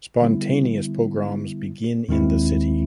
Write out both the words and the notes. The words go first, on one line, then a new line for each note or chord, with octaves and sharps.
Spontaneous pogroms begin in the city.
D3 G3 B3 E4
D#2 D#3 G#3 C4 E4